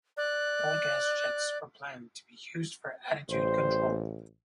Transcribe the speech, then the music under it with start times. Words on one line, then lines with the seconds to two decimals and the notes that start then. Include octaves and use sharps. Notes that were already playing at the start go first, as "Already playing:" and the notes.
Cold gas jets were planned to be used for attitude control.
0.17 D5 F#6
3.29 A1 G3 C5